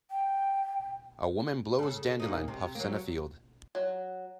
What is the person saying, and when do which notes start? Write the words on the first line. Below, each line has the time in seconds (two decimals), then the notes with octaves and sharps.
A woman blows dandelion puffs in a field.
0.10 G5
1.79 C#3 A4
2.20 A#2 A#3 D#4
2.48 C3
2.75 F#3 A#3
3.75 F#3